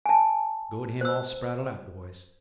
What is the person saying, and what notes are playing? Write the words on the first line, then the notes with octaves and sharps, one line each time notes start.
Go to him all spraddled out, boys.
G#5 A5
C5 E6